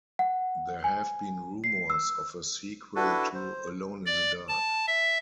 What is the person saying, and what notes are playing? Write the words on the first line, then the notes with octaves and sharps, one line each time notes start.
There have been rumors of a sequel to "Alone in the Dark".
F#5
G#5
C7
E6
D4 E4 F#4 A4 B4
C5
D5
A5
E5